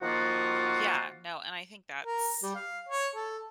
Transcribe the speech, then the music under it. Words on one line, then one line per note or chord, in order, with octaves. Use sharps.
Yeah, no, and I think that's
D#3 F3 A#3 F4 F#4
A#4
G3
F5
C#5
A4